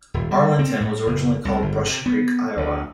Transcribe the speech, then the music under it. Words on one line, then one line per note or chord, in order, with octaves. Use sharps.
Arlington was originally called Brush Creek, Iowa.
D#1
G3
C4
A2
F#1
C2
G1
C3
B3
D2